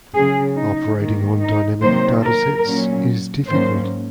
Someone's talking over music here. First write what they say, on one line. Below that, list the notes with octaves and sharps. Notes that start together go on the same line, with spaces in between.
Operating on dynamic data sets is difficult.
C#3 F#3 C#4 G#4
D#4
G#2 D#3 A#3
D#4
C3 D#3 F#3 A#3 C5
A#4
A#2 F#3 C#4
G#2 D#3 F#3 A#3 C#4 C5